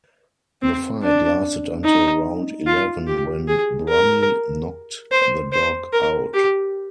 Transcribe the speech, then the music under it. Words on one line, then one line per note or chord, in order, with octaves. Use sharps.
The fight lasted until round eleven when Brummy knocked the dog out.
C4
D4
D#4
F4
G4
G#4
A#4
C5
C5
A#4
G4